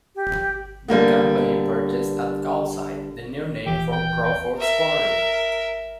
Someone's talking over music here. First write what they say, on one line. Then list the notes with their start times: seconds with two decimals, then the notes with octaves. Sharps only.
The company purchased at Calcite, the new name for Crawford's Quarry.
0.15 G4
0.88 D3 G3 A#3 B3
3.66 D#1 E3 G4
3.93 G5
4.57 A#4 E5